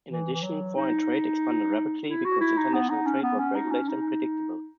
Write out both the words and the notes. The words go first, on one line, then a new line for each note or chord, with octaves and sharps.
In addition, foreign trade expanded rapidly because international trade was regulated and predictable.
E3
E3
F#3
D#4
E4
F#4
E4
D#4
B3
D#4
C#4
B3
C#4
D#4
C#4
D#4